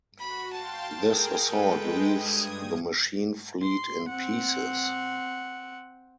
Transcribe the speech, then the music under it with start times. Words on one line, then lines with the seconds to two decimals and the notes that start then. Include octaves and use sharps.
This assault leaves the machine fleet in pieces.
0.19 F#4 B5
0.53 F5 G5 A5 C6
0.96 G#4 A#4 G5
1.49 G#3 A4 B4 G5
2.09 G2 D#6 G#6
3.62 C6
4.09 C4 F#5